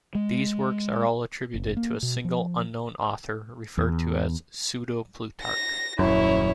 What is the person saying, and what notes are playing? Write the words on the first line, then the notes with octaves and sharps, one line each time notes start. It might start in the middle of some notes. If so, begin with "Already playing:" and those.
These works are all attributed to a single, unknown author, referred to as "Pseudo-Plutarch".
G#3
F#1
A#3
B2
F3
E2
A#6
D#1 F#2 E4 C#5